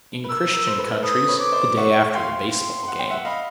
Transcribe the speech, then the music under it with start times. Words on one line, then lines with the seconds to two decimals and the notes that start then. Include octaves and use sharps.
In Christian countries, the day after the baseball game.
0.24 B4
0.29 A#4 E6
0.53 A#4
0.67 C5
0.78 A4 B4
1.03 A4 B4 D#6
1.28 B4 C#5
1.39 D6
1.52 C5 D5
1.77 E5 F#5 C#6
2.10 C#6
2.14 F5 G5 C6
2.50 C6
2.88 F#5
2.99 G5
3.11 E5 F#5
3.25 D#5 F5 B5